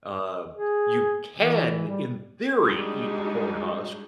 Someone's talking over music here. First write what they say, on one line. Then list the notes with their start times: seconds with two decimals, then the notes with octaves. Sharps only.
uh, you can, in theory, eat the corn husk,
0.54 G#4
1.35 E3
1.88 G3
2.63 G3 G#3 D4 D#4 F#4